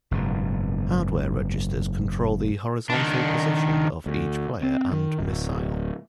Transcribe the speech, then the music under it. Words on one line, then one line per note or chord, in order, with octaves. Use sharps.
Hardware registers control the horizontal position of each player and missile.
F#1 G#2 B2
D#3 D4
D2
C4
D#3
D1